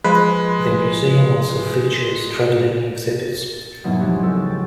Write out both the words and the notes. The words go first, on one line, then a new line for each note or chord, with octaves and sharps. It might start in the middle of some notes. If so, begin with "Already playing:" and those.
The museum also features traveling exhibits.
F3 G#3 B4
A6
E2 G#2 B2 F#3 A#3 B3
F3 G#3 A#3 C4 F#4 G4
C#2 F3 F#4 A4 C#6 E6
G5 A6